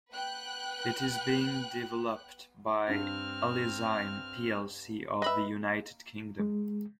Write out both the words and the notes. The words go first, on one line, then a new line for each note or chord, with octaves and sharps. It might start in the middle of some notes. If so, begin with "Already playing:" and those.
It is being developed by Alizyme plc of the United Kingdom.
B4 F#5 G5 F#6
G2 C4 F6
B4 D#5 E5 B5
G#3